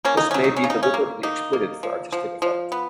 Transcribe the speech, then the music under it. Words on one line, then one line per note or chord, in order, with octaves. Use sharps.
This may be deliberately exploited for artistic effect.
A#3 C#4
D#4
F#3 C#4
D#4
C#4
C#3
D#4
C#4
A#3
A#3 D#4
A#3
F3
F3
F3
B3